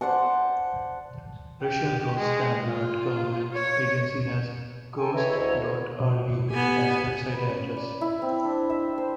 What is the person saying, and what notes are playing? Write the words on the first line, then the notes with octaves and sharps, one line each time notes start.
Russian Rosstandart government agency has "gost dot ru" as website address.
C5 D5 F#5 A5
G4
G#3
F4
C#5
A4 G5 G#5
E3 E4 C#5 D#5
D2
B2
B3 G4 G#5
B4
C#4
D5
E4
C4
D4
E5
C5